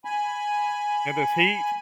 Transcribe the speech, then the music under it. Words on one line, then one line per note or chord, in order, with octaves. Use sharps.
In this heat?
G#5 B5